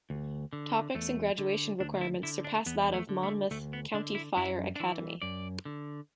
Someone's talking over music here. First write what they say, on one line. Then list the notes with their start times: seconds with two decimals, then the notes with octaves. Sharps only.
Topics and graduation requirements surpass that of Monmouth County Fire Academy.
0.10 D2
0.53 D3
0.95 E2 A3
1.38 D3
1.80 D2 D4
2.01 E4
2.23 D3 E4
2.44 D4
2.66 E2 B3
2.94 A3
3.09 D3
3.23 A3
3.51 D2 A3
3.73 B3
3.94 D3 D4
4.15 E4
4.37 F#2 E4
4.76 D4
4.80 E3 E4
5.22 F#2 D5
5.65 D3